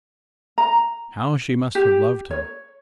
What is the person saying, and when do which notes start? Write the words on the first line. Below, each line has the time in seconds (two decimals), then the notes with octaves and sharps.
How she must have loved him!
0.58 A#5
1.75 G4
2.31 C#5